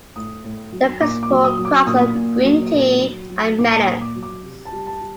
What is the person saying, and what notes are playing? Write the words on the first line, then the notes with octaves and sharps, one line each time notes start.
The principal crops are green tea and melons.
A2 D#6
A2
F#3
A#2 D6
D6
F#3
D#6
F#3
D6
A#2 D#6
A#2
F#3
A#2
F#3
F#3
A#2 D6
D6
D#6
A#2
D6
F#3
D6
C3
A5
G3
A5
G3